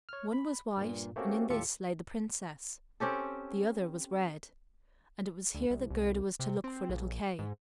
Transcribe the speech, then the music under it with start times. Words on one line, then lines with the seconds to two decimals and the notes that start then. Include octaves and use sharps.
One was white, and in this lay the Princess; the other was red, and it was here that Gerda was to look for little Kay.
0.09 C#5 F6
0.33 B5
0.77 G2 A#2
1.16 A3 A#3 C4 C#4 F#4 G4
1.50 D#2 A2 F4 G4 A4 C#7
3.00 C4 C#4 G4 A4
5.55 D2
5.70 C2
5.90 C2
6.40 C3
6.64 C4
6.89 A#1
7.39 G#2